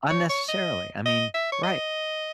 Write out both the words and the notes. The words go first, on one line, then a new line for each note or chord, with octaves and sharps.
unnecessarily, I mean, right.
C#5
C#5
D#5
D#5
E5
C#5
D#5